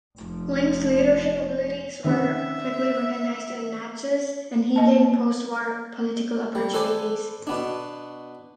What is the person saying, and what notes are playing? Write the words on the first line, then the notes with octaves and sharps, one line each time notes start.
Lynch's leadership abilities were quickly recognized in Natchez, and he gained post-war political opportunities.
F1 F3
D#3 C4 C#4 E5
A#3 D#5 A5
G3
A4 B4 C5 D5 G#5
B2 B3 D4